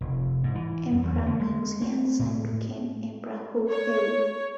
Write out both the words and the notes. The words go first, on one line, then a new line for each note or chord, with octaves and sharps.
Emperor Ming's young son became Emperor Houfei.
F1
G#2
E3
F#2
E2
D3
G#3
C4
A2
C#5